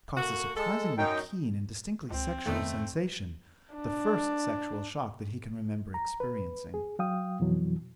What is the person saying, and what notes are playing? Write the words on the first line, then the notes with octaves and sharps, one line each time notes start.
It caused a surprisingly keen and distinctly sexual sensation, the first sexual shock that he can remember experiencing.
A3 A#3 F#4
G#3 A4
F#2 D#4 G5
C#2 C4
F2 A#2 D#3 A3 B3
D4
A#5
B4
G#4
F#3 F5 G5 D#6
F2 B2 E3 F#3